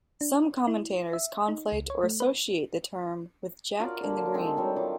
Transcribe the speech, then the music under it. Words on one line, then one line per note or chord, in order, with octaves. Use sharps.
Some commentators conflate or associate the term with "Jack in the Green".
D4
E4
E5
D#4
C#2
C#5
A3
B4
F4 F#4 A#4 D5
D3 A#3
D#3 G#3 C4 A4
F#3 G3 C4
D#3 F4 D6